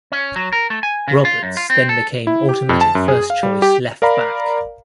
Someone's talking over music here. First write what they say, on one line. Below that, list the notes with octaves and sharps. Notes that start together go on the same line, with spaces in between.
Roberts then became automatic first choice left-back.
C#4
F#3
A#4
A3
G#5
C#3
F4
F#2
F4
C4
A4
E4
G4
F2
A5
F#2
G#4
F5
G3
G4
A#4 D5 F5 A#5 B5